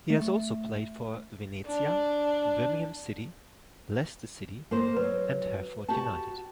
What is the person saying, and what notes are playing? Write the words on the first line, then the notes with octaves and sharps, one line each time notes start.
He has also played for Venezia, Birmingham City, Leicester City and Hereford United.
A3
D4
A#3 C5
F#3 B4
F#4 G4 A5